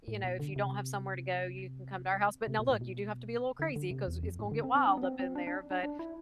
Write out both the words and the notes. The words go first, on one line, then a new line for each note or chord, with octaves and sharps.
you know, if you don't have somewhere to go, you can come to our house, but now, look, you do have to be a little crazy 'cause it's gon' get wild up in there, but,
A2
B2
D3
C3
C3
B2
A2
B2
D3
D3
C3
E2
F2
A2
D3
C4
C4
D4
B3
C4
C4
D4
D4
D4
D4
E4